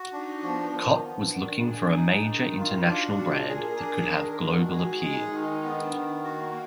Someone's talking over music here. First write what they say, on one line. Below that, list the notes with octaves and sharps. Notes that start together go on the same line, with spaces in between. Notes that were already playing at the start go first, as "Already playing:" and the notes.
Cott was looking for a major international brand that could have global appeal.
Already playing: F#4
D4 D#4
F3 B3
D#3
B3
D4
D#3
G#4
D#4
D#3
D#4 F4
D4 F#4
A#2 G#4
G#4 A#4
D4
A#4
D#3
G#3 F#4
G#4
D#4
G#3
D#3 D#4
B3 D4
D#3
A#3 F#4